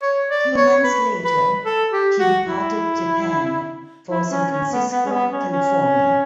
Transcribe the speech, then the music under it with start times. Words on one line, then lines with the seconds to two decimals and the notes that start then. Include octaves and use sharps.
Two months later she departed Japan for San Francisco, Cali.
0.02 C#5
0.30 D5
0.56 C#5
0.84 B4
1.25 B4
1.66 A4
1.92 G4
2.19 F#4
2.47 E4
4.09 E4
4.30 C#4
4.51 C#4
4.71 B3
4.91 B3
5.06 C#4
5.11 B3
5.31 C#4
5.52 C#4